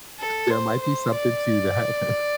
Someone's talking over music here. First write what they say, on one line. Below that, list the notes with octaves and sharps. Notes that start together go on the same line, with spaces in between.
there might be something to that.
A4
C5
C5
D5